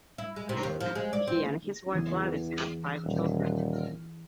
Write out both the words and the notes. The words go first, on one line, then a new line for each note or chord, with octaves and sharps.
He and his wife Gladys had five children.
E4
G#3
C3
D#2
F3
G#3
D5
C4
E2 E3 G#4
D#1